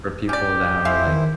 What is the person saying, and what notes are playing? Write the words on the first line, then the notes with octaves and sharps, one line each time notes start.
for people that are, like,
C#4 G4 D5
E4 G#4 C5 E5 F5
D#3